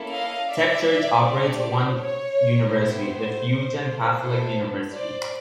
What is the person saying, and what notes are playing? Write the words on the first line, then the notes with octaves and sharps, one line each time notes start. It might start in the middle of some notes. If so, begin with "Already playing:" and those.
The Church operates one university, the Fu Jen Catholic University.
Already playing: A#3 C#4 E4 A4
D#5 F5
D5 E5
A3 D4 G4 C5 D5
C#5
B3 E4 G4 C5
B3 E4 A4 C5
C5 D5